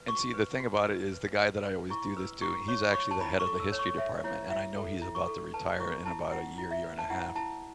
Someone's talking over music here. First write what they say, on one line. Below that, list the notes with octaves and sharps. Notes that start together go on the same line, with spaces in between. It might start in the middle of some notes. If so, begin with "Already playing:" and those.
And see, the thing about it is the guy that I always do this to, he's actually the head of the history department, and I know he's about to retire in about a year, year and a half,
Already playing: B4
F#4 C#6
B4
F#4
B4
B4
B4
B4
E4 C#6
B4 E6
E4 C#6
C#5 C#6
B5
C#5 C#6
A5
E4 B5
C#6
A4
E6
C#5
C#6
C#5 E5
E4 C#5
E4 E5
A4
E4
C#6
A4
B4 A5
E4 C#6
E4 A5
E4 F#5
E4
E5
B4
A5
E4 F#5
E4 A5